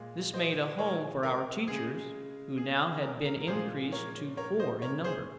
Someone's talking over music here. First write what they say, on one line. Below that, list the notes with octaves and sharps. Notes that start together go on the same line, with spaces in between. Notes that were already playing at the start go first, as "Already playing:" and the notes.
This made a home for our teachers, who now had been increase to four in number.
Already playing: A#2 G#3
C5 D#5
A#4 C#5
A#4
C#3 G#3 G#4
G#4
A#4
A#4
A#4
A#2 F3 G#3 G#4 C5
A#4 C#5
A#4 C#5
C5 D#5
A#4 C#5
G#4 C5